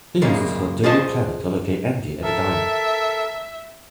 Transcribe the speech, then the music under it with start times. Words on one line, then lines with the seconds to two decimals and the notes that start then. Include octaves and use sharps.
He uses her daily planner to locate Andy at the diner.
0.22 F#2 A#2 C#3 G#3 A#3
0.84 F4 G#4 C5 D#5 A5
2.23 A4 A#4 E5